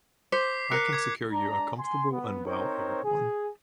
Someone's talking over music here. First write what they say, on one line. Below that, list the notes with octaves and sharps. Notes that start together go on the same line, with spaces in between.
I can secure you a comfortable and well-aired one.
C5 D6 B6 C7
A#4 F#6 C#7
D6 G#6
G#3 D4 A#5
G#5 C6
B3
C4 D#4 A#4 C5 C#5
G#4